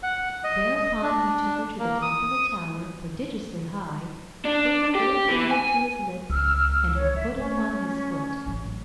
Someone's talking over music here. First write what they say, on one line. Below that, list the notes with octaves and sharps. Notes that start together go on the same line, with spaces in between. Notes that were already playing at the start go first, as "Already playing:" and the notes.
Thereupon he took her to the top of a tower, prodigiously high, put her little finger to his lips, and her foot upon his foot.
F#5
D#5
D#5
D4
A#3
D#6
D4
G4
E3
G#5
C#2 E6 F6
C#5
E3 E5
A3 C#4
A1 F#3